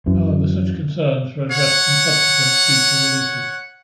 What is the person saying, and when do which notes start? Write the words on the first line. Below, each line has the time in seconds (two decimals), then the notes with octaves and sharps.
However, such concerns were addressed in subsequent future releases.
0.06 F#2 E3
1.50 C#5 F#5